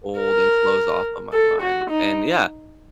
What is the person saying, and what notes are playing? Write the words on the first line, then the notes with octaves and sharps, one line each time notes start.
old and close off of my mind, and yeah.
A#4
A4
F#4
D#4